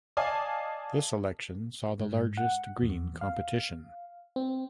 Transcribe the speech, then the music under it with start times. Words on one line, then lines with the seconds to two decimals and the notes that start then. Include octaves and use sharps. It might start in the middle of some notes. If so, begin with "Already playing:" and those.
This election saw the largest Green competition.
0.17 D5 D#5 F5 G#5 A5
2.00 G#2
2.37 F#5
2.82 E2
3.21 F5
4.36 C4